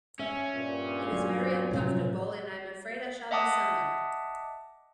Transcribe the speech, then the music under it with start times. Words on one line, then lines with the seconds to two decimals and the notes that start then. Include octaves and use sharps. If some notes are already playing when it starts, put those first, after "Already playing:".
It is very uncomfortable, I am afraid I shall be summoned.
0.19 C#4 E5
0.53 G2 A#2
1.12 F#3
1.71 A2 C3 F3 F#3 C#4 F4
3.31 D#5 E5 F#5 A5 D6 D#6